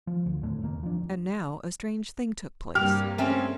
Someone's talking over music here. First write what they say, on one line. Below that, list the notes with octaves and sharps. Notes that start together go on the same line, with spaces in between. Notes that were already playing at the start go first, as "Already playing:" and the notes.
And now a strange thing took place.
F3
D2
D#2 A2 D3 A3
F1 D#2 B2 A#3
F3 D4
G2 C3 A#3 G4 F6
A3 C4 C#4